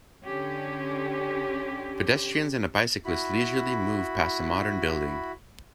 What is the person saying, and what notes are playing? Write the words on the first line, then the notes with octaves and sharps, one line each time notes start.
Pedestrians and a bicyclist leisurely move past a modern building.
D3 C#4 G4
E4 F#4 B5